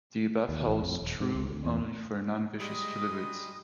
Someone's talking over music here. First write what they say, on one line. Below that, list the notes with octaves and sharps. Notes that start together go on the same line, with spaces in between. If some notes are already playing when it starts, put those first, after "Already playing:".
The above holds true only for non-viscous fluids.
D#2
A1
F2
D#1
G#2
C#2
D2
E2
G3 G#3 D#5 D#6